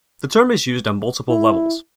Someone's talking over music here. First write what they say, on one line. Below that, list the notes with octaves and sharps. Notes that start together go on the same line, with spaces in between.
The term is used on multiple levels.
E4